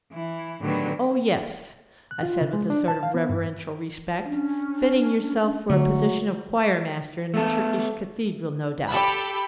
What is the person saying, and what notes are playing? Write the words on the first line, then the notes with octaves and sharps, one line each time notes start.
"Oh, yes," I said with a sort of reverential respect, "fitting yourself for a position of choir-master in a Turkish cathedral, no doubt."
E3 E4
A2 D3 D#3 F#3 G3 B3
F#6
F4
C#3
G#3
D4
A5
F5
B3
G2
C#4 D4
D3 F#3 A3
A3 B3 A4
G4 A4 B5